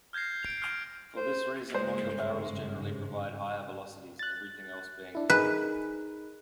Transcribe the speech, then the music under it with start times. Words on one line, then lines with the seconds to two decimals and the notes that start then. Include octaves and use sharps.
For this reason longer barrels generally provide higher velocities, everything else being equal.
0.13 F6 G6 G#6 A#6 C7
0.43 D7 F7
0.58 F6 C7
1.17 C5
1.74 G#1 G2 C#3 G#3 C5
4.19 F#6 A6
5.15 D4 E4
5.30 D#4 G#4 A#4 B4